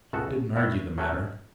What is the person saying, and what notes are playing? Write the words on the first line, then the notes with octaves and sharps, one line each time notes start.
I didn't argue the matter.
C#2 C#3 A3 F#4 A4
A2 A3 E4 C#5 E5
F#3 A3 C#4 F#4 A4